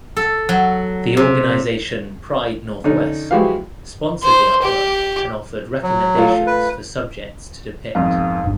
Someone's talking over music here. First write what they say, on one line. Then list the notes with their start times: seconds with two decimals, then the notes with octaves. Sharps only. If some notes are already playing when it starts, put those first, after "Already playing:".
The organization Pride Northwest sponsored the artwork and offered recommendations for subjects to depict.
0.17 A4
0.49 F#3
1.17 C3
2.84 D3 C#4 D#4
3.31 G#3 E4 F#4 G4 B4 F5
4.23 C5
4.62 G4
5.83 F#3
6.16 A3 F4
6.47 B4
7.95 E1 F2 G#2 F5
8.44 G1 G2